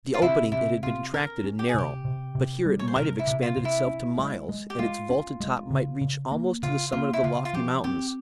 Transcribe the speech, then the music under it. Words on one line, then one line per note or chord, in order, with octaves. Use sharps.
At the opening it had been contracted and narrow; but here it might have expanded itself to miles, and its vaulted top might reach almost to the summit of the lofty mountains.
F4
C3 E4
C3 E4
C3 F4
C#4 A#4
C#4
G4
G#4
C3 G4
C3
C3
G3
C#5
C5
C3 A#4
E4
C3
F4
C3
E4
C#4
G#3
G#3
G4
G#3 F4
C#4
G#3
C#3
C#3
A#3
C#3 F4
A#3 F4
E4
C#3 F4
F4
F3 G4
C4 G4